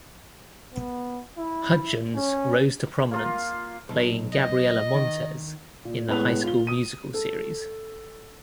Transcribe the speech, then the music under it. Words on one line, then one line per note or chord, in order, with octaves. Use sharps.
Hudgens rose to prominence playing Gabriella Montez in the "High School Musical" series.
B3
E4
C#4
A#3 F4 A#4
B1
D#5
D#3
A#2
A2 G#3 B3 B4 F7
F4 G7
D#6 D#7
A4